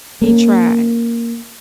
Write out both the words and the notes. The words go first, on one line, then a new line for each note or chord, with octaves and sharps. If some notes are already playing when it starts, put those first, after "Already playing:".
He tried,
A#3 C#4